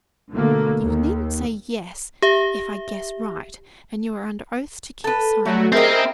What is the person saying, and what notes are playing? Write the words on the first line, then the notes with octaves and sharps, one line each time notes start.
'You needn't say yes, if I guess right and you are under oath to keep silent.
B2 D3 A3 A#3
D#2
G4 E5
A4 B4
F#3 G3 A3 F#4
C4 E4 G4 G#4 A#4 D#5